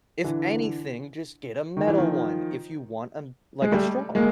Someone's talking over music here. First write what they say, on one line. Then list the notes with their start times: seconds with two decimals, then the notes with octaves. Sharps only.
If anything, just get a metal one, if you want a like, a straw.
0.24 D3 E3
1.77 D#3
1.87 E3
1.98 D#3 F3
3.62 G#3
3.72 G3 A3
4.15 G#3 A#3